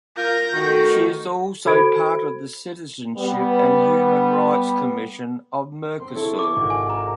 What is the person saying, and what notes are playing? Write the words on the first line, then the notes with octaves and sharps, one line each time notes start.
She is also part of the Citizenship and Human Rights commission of Mercosur.
F4 A#4 G6 A#6
B2 D3 D#3 A3 F#4
F#4 A4 C5 B5 G#6 D7
G3 B3
C4 C6
E4 A4 C#5
D6
G#1
G#5
A#4 A#5